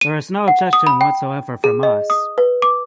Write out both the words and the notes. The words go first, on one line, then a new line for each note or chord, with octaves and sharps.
There is no objection whatsoever from us.
D#7
F#5
D#6
B5
G5
G#4
D#5
D#6
B4
D6